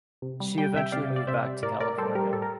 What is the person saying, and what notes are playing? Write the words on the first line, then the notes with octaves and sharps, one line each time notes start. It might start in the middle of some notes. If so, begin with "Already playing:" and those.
She eventually moved back to California.
C3
G3
G3 G5
C3 E5 G5
C3 D5 F5
C3
D5
C3 C5 E5
G3
A2 A#4 D5
A2 A#4 D5
G3 A4 C5
G3 G4 A#4
A2 A4
A#4